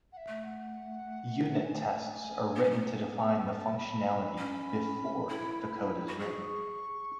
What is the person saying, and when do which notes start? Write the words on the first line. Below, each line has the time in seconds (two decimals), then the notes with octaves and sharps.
Unit tests are written to define the functionality "before" the code is written.
0.13 F#5
0.17 E5
0.28 A3
0.43 F#5
1.64 G#5
2.56 B3
2.63 C#4
2.71 B3
3.46 B5
3.50 A5
3.76 B5
4.07 B5
4.38 C#4
5.29 E4
6.08 F#4
6.19 G#4 C#6